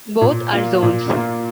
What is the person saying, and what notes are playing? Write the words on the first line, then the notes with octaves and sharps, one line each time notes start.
Both are zones.
A#2
A#3 F4
A#2
A#3 F4